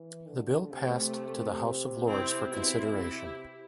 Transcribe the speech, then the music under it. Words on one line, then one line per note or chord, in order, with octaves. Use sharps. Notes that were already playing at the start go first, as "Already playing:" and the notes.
The bill passed to the House of Lords for consideration.
Already playing: E3
D3
C3 A3
C4 E4
B2 C4 E4
C3 E4 G4